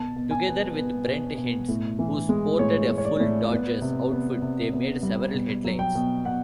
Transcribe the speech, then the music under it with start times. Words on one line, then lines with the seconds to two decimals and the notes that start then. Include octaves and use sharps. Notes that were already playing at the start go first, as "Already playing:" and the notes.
Together with Brent Hinds who sported a full Dodgers outfit they made several headlines.
Already playing: B2 A5
0.16 B2
0.31 G#5
0.47 B3
0.77 B3
1.08 B2
1.38 B2
1.68 A2
1.99 E3
2.29 G#3
2.59 A2 C#5
2.90 A2
2.98 C#5
3.05 D5
3.20 A2
3.51 B3
3.81 C3
4.12 B3
4.42 C3
4.73 B3
5.03 G3
5.34 B2
5.65 F#3
5.79 G5
5.95 B2
6.25 B2 F#5